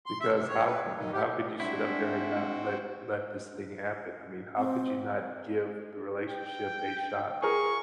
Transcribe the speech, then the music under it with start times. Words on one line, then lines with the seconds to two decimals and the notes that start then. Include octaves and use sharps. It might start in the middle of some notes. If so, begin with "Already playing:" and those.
because how could how could you sit up there and not let let this thing happen? I mean, how could you not give the relationship a shot?
0.06 C6
0.21 E5
0.35 C3
0.48 C#5
0.66 B4
0.84 G2
0.96 D#3
1.13 G4
1.60 G3 G#3 C4 D4 E4 F#4
4.57 C4
6.30 G5
7.42 G#4 A#4 C#6